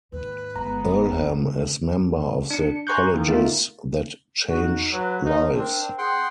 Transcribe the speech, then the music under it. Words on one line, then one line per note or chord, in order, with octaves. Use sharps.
Earlham is member of the Colleges That Change Lives.
D#2 G#2 B4
G1 D#3 G#3 B3 A#5
D4 C#7
G#5 A#5 C6 C#6 F#6 G6
D#3 E3 A#3
A3 B3 D#4 F4 A#4
D#4 F#4
F#3 B4
D#4 A#4
C4 D4
G#4 F#5 G5 C6